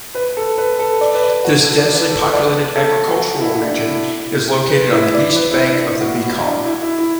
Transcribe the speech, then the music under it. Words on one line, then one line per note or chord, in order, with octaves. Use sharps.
This densely populated agricultural region is located on the east bank of the Mekong.
B4
A4
B4
A4
D5
B4
D5
F#4
A4
D5
B4
A4
D5
A4
F#4
E4
E4
D4
E4
B4
E4
D5
B4
E4
D4
E4
F#4
F#4
E4
D4
E4
E4
E4